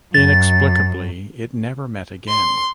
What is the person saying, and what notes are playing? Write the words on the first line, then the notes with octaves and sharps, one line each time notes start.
Inexplicably, it never met again.
F#2 A6
C6